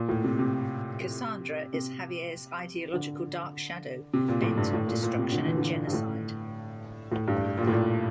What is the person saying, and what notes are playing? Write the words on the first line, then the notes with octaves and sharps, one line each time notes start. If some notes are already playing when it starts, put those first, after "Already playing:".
Cassandra is Xavier's ideological dark shadow, bent on destruction and genocide.
Already playing: A#2
A2
C3
C3
C3
D3
C3
A#2
A2
G2
A2
A#2
A#2
C3
D3
E3
D3
G2
A2
A2
G2
A#2
A2
A#2